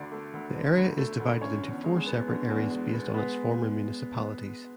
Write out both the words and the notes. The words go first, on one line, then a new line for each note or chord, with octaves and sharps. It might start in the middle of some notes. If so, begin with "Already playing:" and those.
The area is divided into four separate areas based on its former municipalities.
Already playing: D2 D3 D4 D5
A3
D2
D3
D2
A3
D2
D3 C#4 C#5
E2
G#3
B3
D3
E2
G#3
B3
G#3 B3 B4